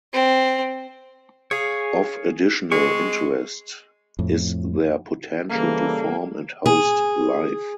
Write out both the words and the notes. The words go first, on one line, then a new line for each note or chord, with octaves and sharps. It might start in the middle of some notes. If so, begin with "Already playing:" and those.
Of additional interest is their potential to form and host life.
C4
G#4 C#5 F5
G#3 C4 C#6
F2 A2
C#3 E3 G3 A#3 A4
G#4